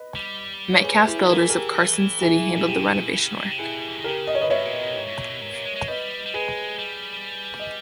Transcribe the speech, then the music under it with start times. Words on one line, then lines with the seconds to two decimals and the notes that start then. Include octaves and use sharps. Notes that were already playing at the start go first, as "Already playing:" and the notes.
Metcalf Builders of Carson City handled the renovation work.
Already playing: B4 D#5
0.16 G3
0.73 C#5
0.84 G#4 B4
1.07 E4 G#4
1.30 E3 A#4
1.40 G#4
1.49 G4 A#4
2.21 E4 G#4
2.57 A#2
2.67 B2 G4
3.13 C#3
3.36 A#2
3.51 C#3
3.58 B2 E4 G#4
3.87 E3
3.96 D#3
4.04 C#3 G4 A#4
4.27 D#5
4.35 C#5
4.41 B4 D#5
4.50 G2 C#5 E5
4.65 A#2
4.81 B2
4.96 G#2
5.07 G#2
5.19 A#2
5.30 B2
5.41 G#2
5.53 A#2
5.65 G#3
5.76 G#3
5.88 G3 B4 D#5
6.26 G3
6.34 G#3 G#4 B4
6.79 G3
7.59 D#5